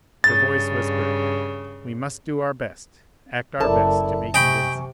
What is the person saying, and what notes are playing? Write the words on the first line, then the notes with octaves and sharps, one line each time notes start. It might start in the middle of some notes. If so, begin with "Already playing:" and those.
Her voice whispered, "We must do our best, act our best to be convincing."
G2 C#3 A6
F#1 E4 A4 A#4 D5 A5
C3 D#5 G5 G#5 B5 C#6